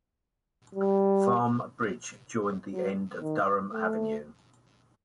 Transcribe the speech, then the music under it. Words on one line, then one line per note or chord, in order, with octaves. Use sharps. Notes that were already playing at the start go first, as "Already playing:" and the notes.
Farm Bridge joined the end of Durham Avenue.
G3
F#3
D#3
A3